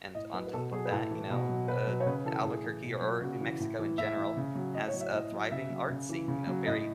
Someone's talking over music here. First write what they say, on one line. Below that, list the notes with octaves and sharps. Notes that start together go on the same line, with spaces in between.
and on top of that, you know, uh, Albuquerque, or New Mexico in genera,l has a thriving art scene, you know, very,
A2 D#5
F#3 B4
B4
B2 A4
F#3 G#4
B4
A2 A4
E3
B2
F#3
B2 B4
F#3
C#5
C#3 B4
E3 A4
A2 G#4
E3
B2
F#3
C#3 F#4
E3
A2
E3
A2 E5
E3
C#3
F#3
A2 D#5
C#5
F#3
E5
A2 D#5
F#3
C#3 E5
F#3
C#3
E3
C#3
F#3
A2 D#5